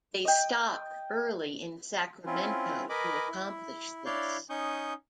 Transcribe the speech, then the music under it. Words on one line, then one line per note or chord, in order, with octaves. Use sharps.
They stopped early in Sacramento to accomplish this.
D#5 G5
C4 C#4 E4 F4
A#4 B4 D#5 G#5 B5 D6
E4
D4 E4 C#5 D5 F5 G6
C#4 D#4 C#6 D#6 G6